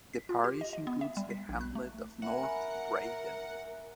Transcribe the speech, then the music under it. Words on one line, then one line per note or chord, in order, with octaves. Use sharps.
The parish includes the hamlet of North Bradon.
B6
F4
G4
D#5
D#5
B3
E5
G3
B6
A#1
F#6
A3
C#4 E4 A#4 E5 F#5 G#5